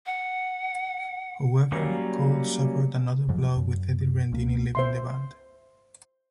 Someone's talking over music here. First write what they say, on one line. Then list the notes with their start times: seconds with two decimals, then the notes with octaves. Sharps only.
However, Cold suffered another blow with Eddie Rendini leaving the band.
0.06 F#5
1.72 F#3 G3 A#3 C#4
3.28 F2 G#2 F3 F#3
3.57 F#2
4.33 C#2 A#3
4.75 C5 E5 C6